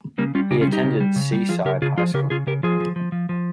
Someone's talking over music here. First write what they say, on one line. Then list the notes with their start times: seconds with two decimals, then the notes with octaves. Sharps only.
He attended Seaside High School.
0.18 C#3 G3 A#3
0.35 G3 C#4 F4
0.51 C#3 D#4 G4
0.61 C#4 F4
0.67 G3
0.72 D#4 G4
0.84 C#3
1.00 G3
1.16 C#3
1.32 G3
1.49 F3 F4 G#4
1.65 C#3 G4 A#4
1.82 C#3 F4 G#4
1.97 F3 F4 G#4
2.14 C#3 G4 A#4
2.30 C#3 F4 G#4
2.47 C#3 G4 A#4
2.63 F3 F4 G#4
2.80 F3
2.96 F3
3.12 F3
3.29 F3